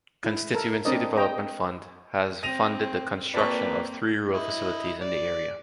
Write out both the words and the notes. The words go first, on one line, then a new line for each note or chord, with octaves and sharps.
Constituency development fund has funded the construction of three rural facilities in the area.
E4
A4 A#4
C4 D4 A#4 D5 D#5
D#5 G5 A#5
C4 A#6 D#7 F7
A#2 A#3 C4 B4 D5 A5 C#6
E4 D#5
D5